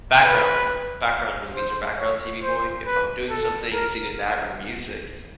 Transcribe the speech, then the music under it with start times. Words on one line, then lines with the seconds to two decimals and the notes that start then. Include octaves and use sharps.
background background movies, or background TV going, if I'm doing something, it's either that or music.
0.25 B4
1.56 C5
1.99 C#5
2.43 C5
2.86 B4
3.30 A4
3.73 A#4